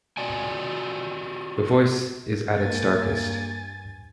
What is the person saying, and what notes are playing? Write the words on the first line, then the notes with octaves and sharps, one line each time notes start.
The voice is at its darkest.
C4 F4 F#4 D5 G5 G#5
G2 A#3 G#5 A6